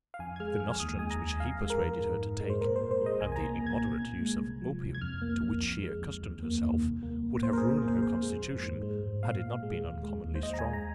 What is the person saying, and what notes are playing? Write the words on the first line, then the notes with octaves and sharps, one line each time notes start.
The nostrums which he persuaded her to take, and the immoderate use of opium to which she accustomed herself, would have ruined her constitution, had it not been uncommonly strong.
F5
F2 G#5
G#6
G#3 F6
F2 F6
F6
D#2 D#6
G#3 G#5
A#5
D#2
F2 F5
G#3
A#4
F2
G#2
G#2
G#3
C5
A#2 A#4
C5
A#2
C5
G#3 D#5
C2 G#5
G#5
A#5
A#3
C2
G#6
A#2
A#2
G#3
C2
F3
C2
G#6
F2 F6
A#3
F2
F2
G#3
F2
D#2
A#3
D#2
C2
A#3
C2
A#2 C5
A#4
G#4
A#2
A#3
C5
F2 C5
G#3
F2
G#2
G#3
G#2
A#2 F5
A#2
G#3
D#2
G#3
D#2
C5
D#2 D#5
A#5
G#5
G#3
A#5